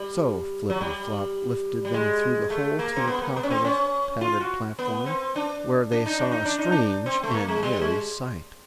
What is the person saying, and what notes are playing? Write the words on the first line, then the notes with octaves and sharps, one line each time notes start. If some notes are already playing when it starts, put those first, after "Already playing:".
So Flippityflop lifted them through the hole to the top of the padded platform, where they saw a strange and merry sight.
Already playing: G3
F#3
G3
G3
G#3
A3
A#3
C4
B3
A#3
B3
C#4
C4
C#4
F4
F#4
B3
C4
D4
D4
D#4
D4
D#4
D4
D#4
D4
C4
A3
A#3
G#3
G3
G#3